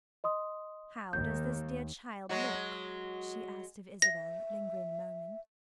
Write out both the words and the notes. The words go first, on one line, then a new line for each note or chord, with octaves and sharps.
"How does this dear child look?" she asked of Isabel, lingering a moment.
D#5 C6 D#6
D#2 G6
F#3 G#3 F#4
E5 A#6